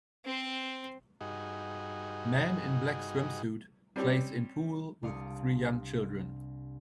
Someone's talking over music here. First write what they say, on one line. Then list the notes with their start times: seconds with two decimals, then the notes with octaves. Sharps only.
Man in black swimsuit plays in pool with three young children.
0.25 C4 C5
1.21 G2 D#4 F#4 G#4
3.96 G3 C4 C#4 G4
5.03 C2 D4 F5 D#6 C#7